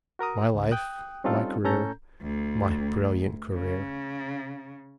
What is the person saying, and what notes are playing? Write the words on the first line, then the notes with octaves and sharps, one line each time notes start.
My life--my career--my brilliant career!
F#4 A#4 A#5 D#6
C#2
G5 D#6 F#6
G3 C4 C#4 D#4 F4 A4
A2 C#4 A4 A#5 G6
D2
C#3